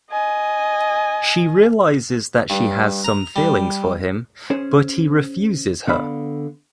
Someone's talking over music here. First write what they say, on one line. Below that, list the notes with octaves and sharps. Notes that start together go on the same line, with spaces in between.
She realizes that she has some feelings for him but he refuses her.
D#5 G#5
G2
A#5
G3
C#4 G#4 C5
D3 B3 F5 B5